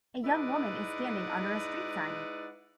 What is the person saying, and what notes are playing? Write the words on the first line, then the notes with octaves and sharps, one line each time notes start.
A young woman is standing under a street sign.
G#3 D#4 E4 B4 D5 F#5